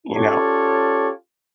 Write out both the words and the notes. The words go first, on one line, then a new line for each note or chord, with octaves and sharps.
You know?
C#4 F4 G4 A4 C#5 D5